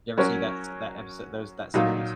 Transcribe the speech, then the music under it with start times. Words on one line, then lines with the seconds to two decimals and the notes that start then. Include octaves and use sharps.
You ever see that s that episode those that series?
0.18 F#3 C#4 F#4 A#4 C#5
1.74 A#2 F#3 A#3 D#4